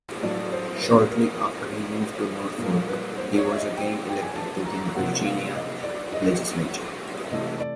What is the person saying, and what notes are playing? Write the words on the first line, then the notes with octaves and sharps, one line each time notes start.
Shortly after he moved to Norfolk, he was again elected to the Virginia legislature.
A2 F#3 A3 D5
C5
B4
A#4
A#2 G3 A#3
B4
C5
C#5
E5
D#5
G5
G5
G#5
A5
A#5
C3 F3 A#3 F#5
F5
D#5
D5
D#5
C3 E3 A3 D#5
D5